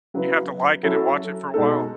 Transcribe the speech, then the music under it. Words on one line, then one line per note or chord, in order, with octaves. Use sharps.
You have to like it and watch it for a while?
C#3 F#3 B3 E4 B4
F#3 C#4 E4 A4
B2 G#3 D#4 A4